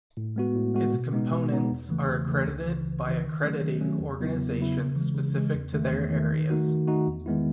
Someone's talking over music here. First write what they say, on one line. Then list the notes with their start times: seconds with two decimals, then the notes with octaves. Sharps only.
Its components are accredited by accrediting organizations specific to their areas.
0.17 A2
0.36 G#3 B3 F#4
0.55 A2
0.74 G#3 B3 F#4
0.94 B2
1.13 G#3 B3 D#4
1.32 B2
1.51 G#3 B3 D#4
1.71 E2
1.89 C#3 E3 A3
2.09 E2
2.27 C#3 E3 A3
2.47 C#2
2.66 C#3 E3
2.85 C#2
3.05 C#3 E3
3.24 D#3
3.43 F#3 A3 C#4
3.62 D#3
3.81 F#3 A3 C#4
4.00 E2
4.19 C#3 F#3 B3 E4
4.38 E2
4.58 C#3 F#3 B3 E4
4.77 C#3
4.96 E3 G#3
5.15 C#3
5.34 E3 G#3
5.53 E2
5.73 D#3 A3
5.92 E2
6.11 D#3 A3
6.30 D#3
6.50 A3 D#4 F#4
6.68 D#3
6.87 A3 D#4 F#4
7.07 E2
7.26 D#3 G#3 B3 E4